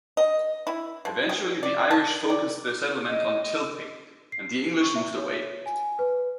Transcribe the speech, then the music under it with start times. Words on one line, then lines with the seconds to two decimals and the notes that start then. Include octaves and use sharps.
Eventually the Irish focused their settlement on Tilting, and the English moved away.
0.17 D#5
0.67 E4
1.05 F3
1.29 G#4
1.63 D5
1.91 A5
2.30 D5
3.07 D#5
4.32 C7
4.81 C#6
4.95 E5
5.17 C#5
5.66 G#5
5.99 B4